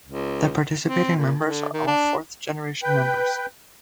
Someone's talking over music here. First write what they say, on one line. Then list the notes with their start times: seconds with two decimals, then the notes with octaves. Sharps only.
The participating members are all fourth generation members.
0.06 C#2
0.85 C4
1.16 A#2
1.44 D3
1.73 D#3
1.87 D4
2.83 B4 G5